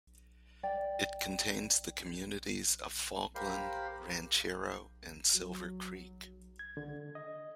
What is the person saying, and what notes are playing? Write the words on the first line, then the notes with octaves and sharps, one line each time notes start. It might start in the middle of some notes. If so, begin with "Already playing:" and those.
It contains the communities of Falkland, Ranchero, and Silver Creek.
D5 G5
G4 A#4 C5 F5 B5
F#3
G#6
D3
D#5